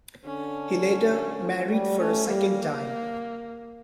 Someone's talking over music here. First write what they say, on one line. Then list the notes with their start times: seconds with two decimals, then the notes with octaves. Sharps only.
He later married for a second time.
0.24 D3 C#4
1.40 F3
1.70 G3
1.98 A3 C#4
2.27 G3 A#3